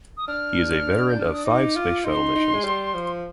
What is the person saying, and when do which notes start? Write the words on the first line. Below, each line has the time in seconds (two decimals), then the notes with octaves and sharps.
He is a veteran of five Space Shuttle missions.
0.17 D#6
0.28 D4 F6
1.08 G6
1.20 F6
1.33 D#6
1.45 D#4 D6
1.76 F4
2.05 D#4 C6
2.35 D#4
2.54 G#3
2.64 G3
2.94 F3